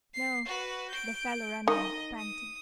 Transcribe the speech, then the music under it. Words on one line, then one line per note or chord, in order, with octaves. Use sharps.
No! the fellow ran on, panting.
C7
F#4 B4
G6 D7
D#3 D#5
D#6